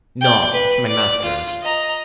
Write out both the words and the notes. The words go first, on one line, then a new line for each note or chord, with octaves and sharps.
"No, it's my master's."
D5 G5
B4
D5
F4
D#5 A#5